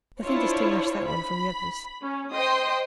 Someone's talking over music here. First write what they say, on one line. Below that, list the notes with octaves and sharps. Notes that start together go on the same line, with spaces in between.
Nothing distinguished that one from the others.
D4 E4 F4 C5 C#5
B5
C#4
C5 D#5 G5 C6 D#6